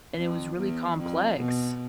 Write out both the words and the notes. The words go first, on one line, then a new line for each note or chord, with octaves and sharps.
and it was really complex.
F2
E2
F2
B2